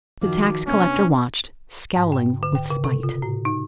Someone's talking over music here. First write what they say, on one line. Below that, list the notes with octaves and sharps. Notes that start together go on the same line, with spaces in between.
The tax-collector watched, scowling with spite....
D#3 F3 F#4 D6
C3 B3 C#4 D4
G#2
G5
D3
G5
C#3
C3
F4
A2
D#4